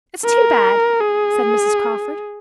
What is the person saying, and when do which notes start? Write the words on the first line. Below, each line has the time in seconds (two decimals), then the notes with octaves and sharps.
"It's too bad," said Mrs. Crawford.
0.25 A#4
1.00 G#4